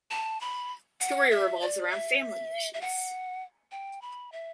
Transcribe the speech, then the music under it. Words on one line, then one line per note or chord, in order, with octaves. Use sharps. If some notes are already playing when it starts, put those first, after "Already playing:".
The story revolves around family issues.
A5
B5
F#5
E5
D5
E5
E5
F#5
G5
B5
E5